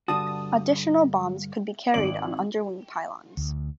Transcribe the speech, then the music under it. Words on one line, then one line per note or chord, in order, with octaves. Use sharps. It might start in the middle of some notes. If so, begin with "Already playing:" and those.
Additional bombs could be carried on underwing pylons.
G2 D3 F#4 A5 D#6
G#1 D5 F#7
D2